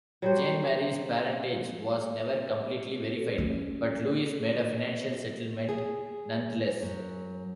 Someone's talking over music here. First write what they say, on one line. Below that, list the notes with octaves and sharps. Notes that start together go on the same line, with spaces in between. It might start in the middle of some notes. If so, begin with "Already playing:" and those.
Jeanne Marie's parentage was never completely verified, but Louis made a financial settlement nonetheless.
F#3 G3 C5
C#4
G#4
F#2